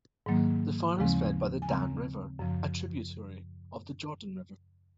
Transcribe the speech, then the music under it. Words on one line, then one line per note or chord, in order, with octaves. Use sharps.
The farm is fed by the Dan River, a tributary of the Jordan River.
G#2 D#3 F#3 A#3
D#2 C#3 F3 G#3 C4
G#5
D#2 C#3 F3 G#3 C4 A#5
F#2 C#3 F3